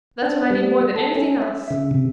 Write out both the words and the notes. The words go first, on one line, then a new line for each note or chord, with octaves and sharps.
That's what I need more than anything else.
D4
G3
A4
C#4
E5
C#3
C3